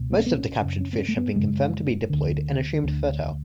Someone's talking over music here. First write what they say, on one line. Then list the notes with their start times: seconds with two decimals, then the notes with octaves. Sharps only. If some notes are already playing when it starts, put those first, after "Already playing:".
Most of the captured fish have been confirmed to be diploid and assumed fertile.
Already playing: C#2 B2
0.12 B3
0.19 C#4
0.26 B3
0.37 C#4
0.61 F#2 C#3 C#4
0.81 C#4
0.93 B3
0.98 C#4
1.08 A3
1.17 B3
1.35 F#2 C#3 G#3
2.10 D2 D3
2.84 D2 D3